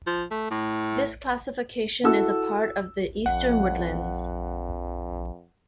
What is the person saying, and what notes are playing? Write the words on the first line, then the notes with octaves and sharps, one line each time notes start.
This classification is a part of the Eastern Woodlands.
F3
A3
A2
E4 F#4 A4 E6
A#1 F2 F#5